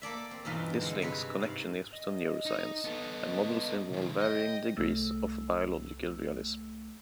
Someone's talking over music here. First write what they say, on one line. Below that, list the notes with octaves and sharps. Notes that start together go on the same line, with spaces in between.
This links connectionism to neuroscience, and models involve varying degrees of biological realism.
A#3 A4 D5 E5
C4
E2 G2 B2 E3 D#4 F4
D3 G#3 C4
G2 C3 G#4 B4 C#5
G#2 F5
D#5
D#4
B3 A4
C2 D#3
D#5 G5
C2 A3 E6